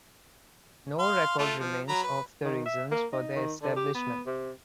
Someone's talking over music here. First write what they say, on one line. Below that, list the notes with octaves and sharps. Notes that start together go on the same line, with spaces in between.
No record remains of the reasons for their establishment.
F5 C6
A3 F4
F3
F#3 A#5 B5
B4
D#3
E5
A#3
D#4
D#3
D3
G4
B3
C3